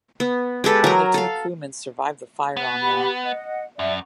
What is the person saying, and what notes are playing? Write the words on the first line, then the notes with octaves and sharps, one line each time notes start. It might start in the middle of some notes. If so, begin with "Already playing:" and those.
Only two crewmen survived the fire on there.
B3
G#3 G4 A4 B4
F#3 A#4
A4 F5
B3
G4 F#5 B5
D#5 F#5
F#2 D5 E5